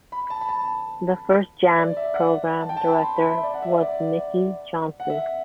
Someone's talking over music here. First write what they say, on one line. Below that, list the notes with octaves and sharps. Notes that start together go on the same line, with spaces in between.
The first Jamz program director was Mickey Johnson.
B5
A5
B5
A5
D5
E5
F#5
A5
G5
A5
B5
C6
B5
E5
D5
F#5
E5
D5
F#5
E5